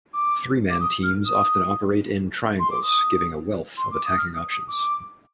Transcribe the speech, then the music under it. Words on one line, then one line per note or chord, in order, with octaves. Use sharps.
Three-man teams often operate in "triangles", giving a wealth of attacking options.
D6
D6
D#6
F6
D#6
C6
D6
D#6
C6
D6
D#6
F6
D#6
D#6
D6